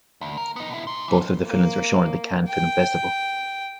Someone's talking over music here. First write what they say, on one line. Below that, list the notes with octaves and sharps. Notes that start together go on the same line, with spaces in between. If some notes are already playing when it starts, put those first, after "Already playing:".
Both of the films were shown at the Cannes Film Festival.
D2
A#4
B3 D#4
B2 E4
D#4 C6
C2 E3
A#3
G5